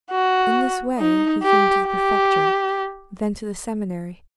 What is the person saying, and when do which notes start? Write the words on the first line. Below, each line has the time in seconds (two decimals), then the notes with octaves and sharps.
In this way he came to the prefecture, then to the seminary.
0.11 F#4
0.99 D#4
1.43 G4
1.87 G4